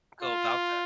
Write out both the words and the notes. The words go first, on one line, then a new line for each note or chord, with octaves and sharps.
go about that.
F4